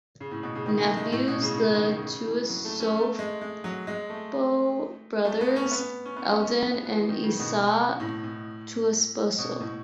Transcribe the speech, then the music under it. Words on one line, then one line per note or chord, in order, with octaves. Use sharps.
Nephews "The Tuiasosopo Brothers" Eldon and Isaiah Tuiasosopo.
C#3
A2
B2
C#3
D#3
A3
G#3
A2
B2
C#3
C#3
D#3
C#3
C#3
E3
F#3
A3
C#4
A3
G#3
G#3
F#3
G#3
A3
A3
B3
C#4
B3
C#4
B3
C#4
B3
B3
B3
E3
D#3
C#3
B2
A2
A2
B2
A2